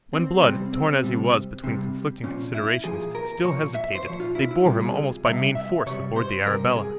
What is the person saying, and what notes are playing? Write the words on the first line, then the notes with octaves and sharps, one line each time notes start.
When Blood, torn as he was between conflicting considerations, still hesitated, they bore him almost by main force aboard the Arabella.
C4
C3 G3 C4
C4
C3 G3
C3 G3
A#2 F3 C#4
E4
A#2 F3 G#4
A#4
A#2 F3 C#5
E5
C5
A#2 F3 C#5
F4
E4
E4
C3 G3 F4
G#4
C3 G3 E5
E5
C3 G3 C#5
C5
C3 G3 A#4
G#4